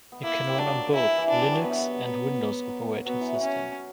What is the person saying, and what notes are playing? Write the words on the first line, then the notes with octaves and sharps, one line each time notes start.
It can run on both Linux and Windows operating system.
B3
A#3 E4
G3
F#3 D4
E3 E4
E3
D4
G3
F#3
E3 B3
F#3
F#3 B3
E3
F#3
C#4